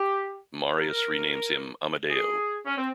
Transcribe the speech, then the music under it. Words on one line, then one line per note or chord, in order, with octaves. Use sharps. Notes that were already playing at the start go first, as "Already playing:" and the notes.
Marius renames him Amadeo.
Already playing: G4
A#4
G#4
C#4
C4